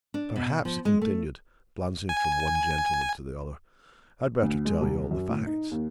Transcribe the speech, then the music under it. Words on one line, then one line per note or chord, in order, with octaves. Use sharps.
Perhaps," he continued, glancing from one gentleman to the other, "I had better tell you all the facts.
D4
B2
F3
G#3
A3
G#5
D2
G#3
C2
F#2
A2
D#4
D#2